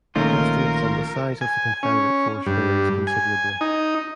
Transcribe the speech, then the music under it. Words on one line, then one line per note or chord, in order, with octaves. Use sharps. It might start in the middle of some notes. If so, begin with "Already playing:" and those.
Estimates on the size of the Confederate force varies considerably.
A#1 D#3 A3 A#3 C#4 D#4 F4 A#4
G#5
C#4
G2
G#5
D#4